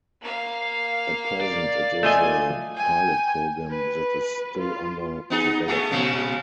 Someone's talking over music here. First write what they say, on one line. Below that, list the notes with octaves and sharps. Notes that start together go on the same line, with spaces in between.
At present it is a pilot program that is still under development.
A#3 F5
D5
A3 F4 D#5 G#5
G5 G#5
B4
F4
B3 D#4 G#4
A3 B3 G#4
A#2 C#3 G#3